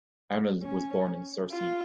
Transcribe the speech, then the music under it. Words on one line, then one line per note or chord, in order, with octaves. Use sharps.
Arnold was born in Sursee.
C#4
F4